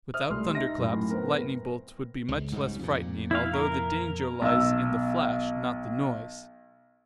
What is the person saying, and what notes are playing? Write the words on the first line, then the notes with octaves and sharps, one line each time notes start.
Without thunderclaps, lightning bolts would be much less frightening, although the danger lies in the flash, not the noise.
C5 E5 D#6 F6
C2 A3 C6 F6
D#4 E5 A#6
F#2 A2
B3 C4 A#4
C#2
G#2 C#3 G3
F2 A#2
E4 F5
A#4
B1 E6